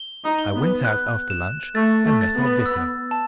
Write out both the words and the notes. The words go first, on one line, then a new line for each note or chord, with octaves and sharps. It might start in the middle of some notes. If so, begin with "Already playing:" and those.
I went out after lunch, and met our Vicar.
Already playing: G7
D#4
G7
B3
F#6
E7
A3 A6
A3
A6
B3
E6
A5